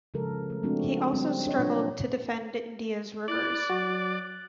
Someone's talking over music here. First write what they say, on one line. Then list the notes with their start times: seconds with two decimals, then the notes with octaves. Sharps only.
He has also struggled to defend India's rivers.
0.14 C#3 F3 G#3 A4 A#4
0.50 A3
0.63 F3 G#3 A3 C4 D4 F#4
1.13 G3 C4
1.46 D4 C#5 D#5
1.58 A#2 F#3 D4 F4
3.28 E4 D5 F#6 A6 F#7
3.70 F#3 F#4